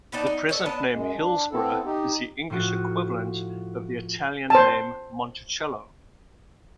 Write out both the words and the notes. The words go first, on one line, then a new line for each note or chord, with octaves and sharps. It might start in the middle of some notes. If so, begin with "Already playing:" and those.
The present name Hillsboro is the English equivalent the Italian name Monticello.
B3 D#4 D5 A5
D#4
A4 C#5 D#5
B3 D4 D#5 A5
F#2 G#3
D4
B3 C4 E4 A4
D#4 G4
A2 F3 F4 F#4
C5 A5